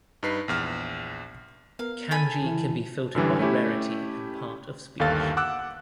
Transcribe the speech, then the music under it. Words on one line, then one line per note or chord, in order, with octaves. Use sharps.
Kanji can be filtered by rarity and part of speech.
G2 D#4 B4 C7
A#1 E2 F6
B3 A#4 F5
A4 G#5 B5
C#3 E3 E4
F#2 D3 E3 G3
A3 C#4 E4 G4
G1 D#2 A4 F5 A6
F#5 D6 E6 F#6